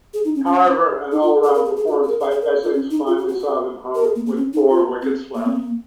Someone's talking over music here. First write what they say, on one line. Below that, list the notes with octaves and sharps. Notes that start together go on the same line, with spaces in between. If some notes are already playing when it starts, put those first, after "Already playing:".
However, an all-round performance by Essex finally saw them home with four wickets left.
G#4
D#4
C#4
C#4
D#4
F4
G#4
A#4
G#4
G#4
F#4
G#4
A#4
G#4
G#4
A#4
F4
C#4
D#4
F4
F#4
F#4
F#4
A#4
G#4
A#3
A#3
C#4
D#4
F4
C4
A#3
C4
A#3